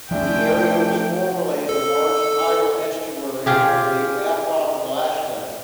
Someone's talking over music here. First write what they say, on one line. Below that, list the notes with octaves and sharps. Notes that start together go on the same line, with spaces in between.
The area was formerly the large tidal estuary of the Afon Glaslyn.
F3 G#3 A3 D4 E4 G5
A4
F4 G4 G#4